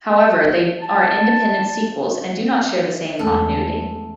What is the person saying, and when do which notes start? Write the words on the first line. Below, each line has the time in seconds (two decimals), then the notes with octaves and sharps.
However, they are independent sequels and do not share the same continuity.
0.80 A5
3.19 E2 G#3 A3 C#4 A4